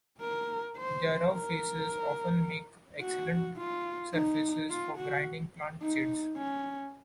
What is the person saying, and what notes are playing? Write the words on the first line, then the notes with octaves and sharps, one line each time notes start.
Their rough faces often make excellent surfaces for grinding plant seeds.
A#4
C5
A#4
F#4
F4
D#4
F4
F#4
D#4
C#4